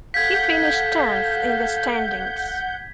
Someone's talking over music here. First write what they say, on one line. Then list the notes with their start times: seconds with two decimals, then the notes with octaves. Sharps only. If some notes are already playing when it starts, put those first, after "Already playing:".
He finished tenth in the standings.
0.14 A4 F5 F#5 G6 G#6 B6